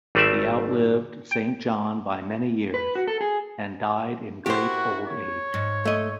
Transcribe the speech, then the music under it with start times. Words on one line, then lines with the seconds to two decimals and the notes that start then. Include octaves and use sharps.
He outlived Saint John by many years and died in great old age.
0.15 G#1 G3 A3 C4 D5 E5
1.31 G5
2.74 B4
2.95 F#4
3.07 A4
3.21 G#4
4.46 E4 F#4 G4 A#4 C5
5.07 C#5
5.54 G#2
5.85 A3 D#5